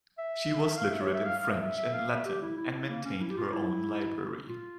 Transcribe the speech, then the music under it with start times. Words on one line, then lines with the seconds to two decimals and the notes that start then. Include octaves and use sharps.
She was literate in French and Latin and maintained her own library.
0.18 E5
0.66 E5
0.77 F5
0.90 E5
1.02 C#5
1.14 E5
1.26 F5
1.38 F5
1.49 E5
1.61 E5
1.77 E5
1.93 F5
2.09 E5
2.25 G4
2.42 E4
2.57 E4
2.73 E4
2.89 A#3
3.05 C#4
3.21 E4
3.30 G4
3.37 F4
3.53 E4
4.49 F4